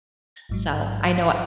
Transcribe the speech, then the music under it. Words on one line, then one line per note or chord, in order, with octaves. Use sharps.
so I know
A1 G#2 F#3